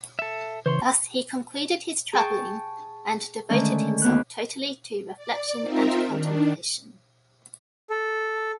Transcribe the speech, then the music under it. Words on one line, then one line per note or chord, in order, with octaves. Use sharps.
Thus he concluded his traveling, and devoted himself totally to reflection and contemplation.
A4 E5
C#3 E3 C5 C#5 C6
G#4 G5 A5 C#6
D3 D#3 G#3 A3 C#4
D#2 B3 F#6
D5
C4 D#4 F4 A#4 E5
D#3 D4
A4